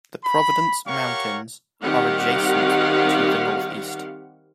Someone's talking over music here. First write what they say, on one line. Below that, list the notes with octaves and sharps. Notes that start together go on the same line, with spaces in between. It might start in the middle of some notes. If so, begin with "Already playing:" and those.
The Providence Mountains are adjacent to the northeast.
B5
G4 A#4 C#5 F5 F#5 C#6
D#3 G3 C4 G4 F5 F#5